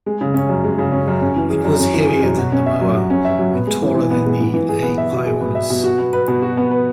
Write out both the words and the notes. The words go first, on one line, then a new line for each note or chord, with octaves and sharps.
It was heavier than the Moa and taller than "Aepyornis".
G#3
C#3
C#4
F#2
G#3
C#3
C#4
F#2
C#4
E3
G#4
F#2
C#4
E3
G#4
F#2
F#4
C#4
E5
F#3
F#4
C#4
E5
F#3
B3
G#3
E3
E3
B3
G#3
E3
E3
G#4
B3
E5
B2
G#4
B3
E5
B2
F#4
B3
B4
B2
F#4
B3
B4